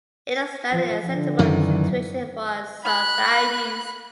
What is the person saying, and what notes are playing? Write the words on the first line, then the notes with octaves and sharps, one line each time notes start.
It is not an acceptable situation for our societies"".
F3
D3
F#2 D#3 E3
B5 F#6